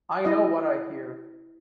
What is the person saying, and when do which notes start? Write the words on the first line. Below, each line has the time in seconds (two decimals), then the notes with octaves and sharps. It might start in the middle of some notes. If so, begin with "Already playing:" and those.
I know what I hear.
0.25 E4 D#5